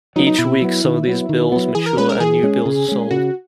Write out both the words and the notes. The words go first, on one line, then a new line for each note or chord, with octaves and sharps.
Each week, some of these bills mature, and new bills are sold.
F#3 B3 D#4
D#4
B2 E4
F#3 B3
D#3
F#3 B3
D#3
F#3 B3
E3 G#4
A#4
G#3 C#4 B4
A#4
E3 G#4
G#3 C#4
C#3
G#3 C#4
C#3 F#4